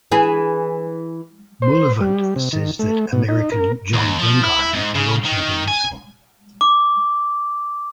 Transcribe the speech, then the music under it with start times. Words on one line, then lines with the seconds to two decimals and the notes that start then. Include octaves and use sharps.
Bullivant says that American John Blenkiron will also be useful.
0.12 E3 G#4
1.62 C5
2.01 G3
2.36 C3
2.53 D#3
2.79 A3
3.13 B2
3.29 D#4
3.52 A#4
3.94 D#2
4.19 F3
4.43 E4
4.61 E4
4.74 G#2
4.95 C#3
5.25 D#3
5.68 G#5
6.61 D6